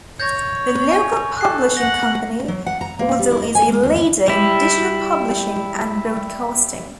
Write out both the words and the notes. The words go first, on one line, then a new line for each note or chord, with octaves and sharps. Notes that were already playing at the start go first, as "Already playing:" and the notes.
The local publishing company also is a leader in digital publishing and broadcasting.
C#5 G6 G#6 A#6
G#5 C#6
A4 F#6 C7
F#5 A#6
F#3
F#5
A#5
A#3
G3
E4
D#5
G#5
G#3
D2
E4
G3 E4